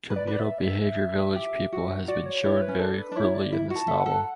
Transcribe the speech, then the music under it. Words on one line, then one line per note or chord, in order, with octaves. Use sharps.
Communal behavior village people has been shown very cruelly in this novel.
B4
D5
B4
E5
D5
E5
G4
F#4
F#4 D5
C#5
E4 C#5
B4
C#4
D4 A4
B4
D4
E4 C#5
D5
E4
F#4
A5
A4 E5
F#5
A4